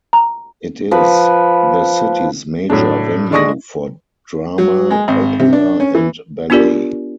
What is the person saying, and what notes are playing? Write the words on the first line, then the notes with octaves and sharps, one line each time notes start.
It is the city's major venue for drama, opera and ballet.
A#5
F3 B4
A2 F#3 A3 D4
D3 G#3 D5 C#6 D#6 A#6
F#3
G#3
G#1
C3
D4
C#4
E3
B3 D4 F4 G4 A#4 D5